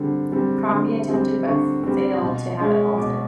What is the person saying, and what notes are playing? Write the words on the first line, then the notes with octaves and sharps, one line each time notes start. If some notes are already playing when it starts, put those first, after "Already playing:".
Crombie attempted but failed to have it halted.
Already playing: D3 G3 C4
G3 C4
D3 C6
G3 C4
D3 C#6
G3 C4
B2
G#3 C#4
B2 D6